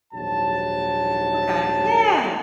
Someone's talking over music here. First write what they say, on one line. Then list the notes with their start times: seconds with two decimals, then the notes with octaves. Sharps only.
Ma okay, yeah.
0.13 A#1 D#2 G#2 F#3 A5